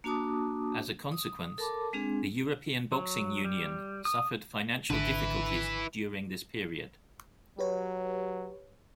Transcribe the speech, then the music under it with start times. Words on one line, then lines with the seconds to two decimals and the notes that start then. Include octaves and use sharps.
As a consequence, the European Boxing Union suffered financial difficulties during this period.
0.04 A#3 D4 F#4 A5 D6 D#6
1.12 D#6
1.58 A4 A#4 A5 B5 D6
1.93 G#3 C4 D4 G#4
2.92 F#3
3.45 G3
4.05 D#6
4.90 G#1 D3 D4 E4 B4
7.59 F#3 G4 B4 C#5